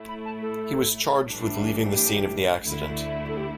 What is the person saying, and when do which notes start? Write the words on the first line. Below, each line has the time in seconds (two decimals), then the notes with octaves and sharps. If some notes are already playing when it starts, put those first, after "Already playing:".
He was charged with leaving the scene of the accident.
Already playing: A2 A3 E4
0.08 B5
0.25 A5
0.42 A4
1.27 A2 E3 G3 D4
1.94 G4
2.61 D2 D3 A3 E4
3.29 A4
3.37 G4